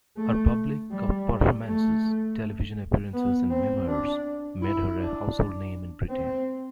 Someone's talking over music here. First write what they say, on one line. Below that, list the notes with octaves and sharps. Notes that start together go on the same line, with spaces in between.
Her public performances, television appearances and memoirs made her a household name in Britain.
A3
G3
A3
B3
C4
D4
E4
D4
C4